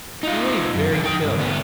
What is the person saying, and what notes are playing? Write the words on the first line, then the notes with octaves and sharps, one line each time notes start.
He lay very still.
D#4 F4
F#2
F2 D3
D#4 G5
C#2 G2
D2 B3